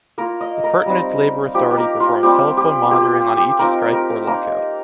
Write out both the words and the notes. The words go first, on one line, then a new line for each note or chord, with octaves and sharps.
The pertinent labor authority performs telephone monitoring on each strike or lockout.
A#3 F4 A#4
D#5
A#4
G3 C4 D#4
F3 D#4 G4
G4
A#4
F4
G3 C4 F4 G4
G4
A#3 F4 G4
G4
F3 C4 D#4 A#4
A#4
A#3 D#4 A#4